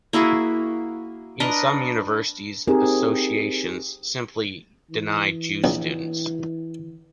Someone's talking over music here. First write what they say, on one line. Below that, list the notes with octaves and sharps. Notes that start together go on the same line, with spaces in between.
In some universities, Associations simply deny Jew students.
A#3 E4 F#4 G#4
D4 A#4 B4 D#5
C4 D#4 G4 G#4 A#4
E3
A#1